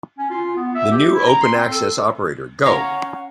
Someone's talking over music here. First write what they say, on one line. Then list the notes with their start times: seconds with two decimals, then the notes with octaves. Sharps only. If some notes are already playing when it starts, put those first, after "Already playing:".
The new open-access operator Go!
0.18 C#4
0.30 F4
0.56 B3
0.75 E5
0.91 G4
1.14 E4
1.26 A#5
1.41 C6
1.54 C4
1.70 A4
2.66 C#4 C#5 F5 F#5 A#5